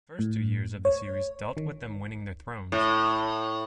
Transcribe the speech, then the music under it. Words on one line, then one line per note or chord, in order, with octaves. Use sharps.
The first two years of the series dealt with them winning their thrones.
A2
C#5
D#3
A2